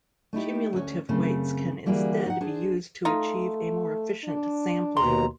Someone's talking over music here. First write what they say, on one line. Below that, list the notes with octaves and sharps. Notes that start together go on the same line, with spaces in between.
Cumulative weights can instead be used to achieve a more efficient sampling.
A3 D#4 E4 G4
D2 C#4
F#2 C#3 A3 C4
D3 E3 G3 A#3 F#4 G#4
D#4 F5 F#5
D4 G#4 C5
A3 D#4 F4
D4
D#2 B2 A#5 C6